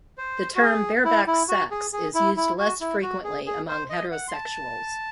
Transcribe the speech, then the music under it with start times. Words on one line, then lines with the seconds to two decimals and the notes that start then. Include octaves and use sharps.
The term "bareback sex" is used less frequently among heterosexuals.
0.18 C5
0.56 F#4
0.61 G#4
1.05 E4
1.27 E4
1.48 F#4
1.71 G#4
1.93 G#4
2.15 E4
2.37 E4
2.59 F#4
2.81 E4
3.03 F#4
3.24 G#4
3.46 G#4
3.68 C5
3.90 D#5
4.12 F#5
4.28 C6
4.34 A5